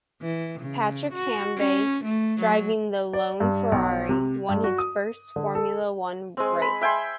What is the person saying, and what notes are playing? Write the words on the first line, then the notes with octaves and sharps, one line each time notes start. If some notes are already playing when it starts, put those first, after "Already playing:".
Patrick Tambay, driving the lone Ferrari, won his first Formula One race.
E3
C#3
F#4
C#4
A3
F#3
D5
G2
B1
C3
G2
F#4
D#6
D3
A4
G#3 C4
B5
E5 G5 G#5 C6